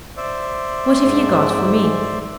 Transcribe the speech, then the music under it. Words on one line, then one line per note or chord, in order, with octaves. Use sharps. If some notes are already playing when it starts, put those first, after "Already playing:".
What have you got for me?'
C5 D5 E5
G#2